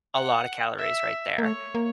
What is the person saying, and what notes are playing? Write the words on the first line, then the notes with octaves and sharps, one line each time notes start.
a lotta calories right there."
F#5
E5
A#3
A3 C#5
A#3